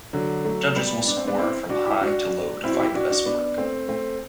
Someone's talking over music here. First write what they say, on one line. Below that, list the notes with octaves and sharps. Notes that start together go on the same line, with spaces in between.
Judges will score from high to low to find the best work.
D3 F#3
F#3 A3
G3 B3
D4
C4
B3 D4
C4 E4
D4 F#4
E4 G4
D4 F#4
C4 E4
F#4
E4 G4
D4 F#4
D4 F#4
B3 D4
A3 C4
A3 C4